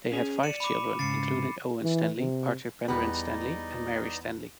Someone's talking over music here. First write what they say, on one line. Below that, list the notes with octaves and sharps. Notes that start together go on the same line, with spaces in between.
They had five children, including Owen Stanley, Arthur Penrhyn Stanley and Mary Stanley.
C#4 G#4
D5 C#7 D#7 E7
B5 D6
G#2 C#3 A6 C7 C#7
E3
C3
E2 G3 B3 D#4 B4 D5 D#5